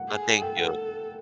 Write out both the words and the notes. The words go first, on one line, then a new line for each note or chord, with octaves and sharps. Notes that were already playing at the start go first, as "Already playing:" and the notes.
Uh, thank you.
Already playing: F#5
G#4
A4 G5
F#5